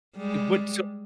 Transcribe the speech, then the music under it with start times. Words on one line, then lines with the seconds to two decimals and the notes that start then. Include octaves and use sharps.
Eh, what so
0.16 G3 G#3